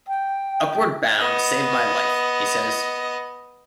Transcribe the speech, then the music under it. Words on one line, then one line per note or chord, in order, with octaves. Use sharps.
"Upward Bound saved my life," he says.
G5
B3 D#5